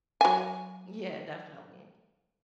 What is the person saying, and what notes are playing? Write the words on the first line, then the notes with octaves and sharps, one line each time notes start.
Yeah, definitely.
F#3 G#5